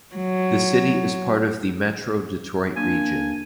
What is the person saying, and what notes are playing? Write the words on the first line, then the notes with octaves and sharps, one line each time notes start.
The city is part of the Metro Detroit region.
F#3
A#3 D4 G#5